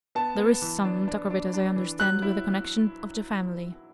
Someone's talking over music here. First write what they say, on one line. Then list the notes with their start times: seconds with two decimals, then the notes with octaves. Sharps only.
'There is some talk of it, as I understand, with a connection of the family.'
0.15 B3 A5
0.38 B3
0.62 E3
0.85 D4
1.08 D4
1.30 D4
1.54 D4
1.76 E3
1.99 F#3 F#6
2.22 E4